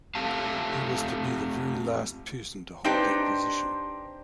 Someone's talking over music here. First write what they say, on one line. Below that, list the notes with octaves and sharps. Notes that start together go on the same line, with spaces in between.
He was to be the very last person to hold that position.
A3 C4 G4 F5 A5
C4 D4 D#4 G4 B4 C5